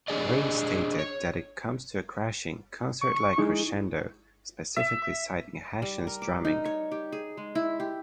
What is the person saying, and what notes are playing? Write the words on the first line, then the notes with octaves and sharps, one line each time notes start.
Grein stated that it "comes to a crashing, concert-like crescendo", specifically citing Hashian's drumming.
D4 G4 G#4 D5 D#5
C#5
C#6
G#3 D#4 E4
E5
G3
A#4
D6
D#4
C#5
G4
G#4
G#3
E4
G4